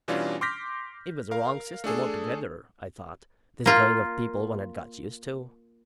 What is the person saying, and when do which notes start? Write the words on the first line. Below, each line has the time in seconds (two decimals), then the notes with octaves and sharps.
It was a wrong system altogether, I thought, this going of people one had got used to.
0.08 B2 E3 G3 C#4 D4 F4
0.41 C6 D6 F6 G6 A#6 B6
1.31 A#4 F5
1.84 A3 D4 G#4 A4
3.66 A#3 F4